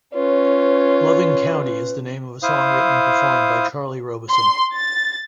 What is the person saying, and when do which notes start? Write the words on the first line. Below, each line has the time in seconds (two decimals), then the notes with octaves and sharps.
"Loving County" is the name of a song written and performed by Charlie Robison.
0.14 C#4 F4 B4 C#5
2.43 E4 C5 F5 D#6
4.31 C6
4.75 A6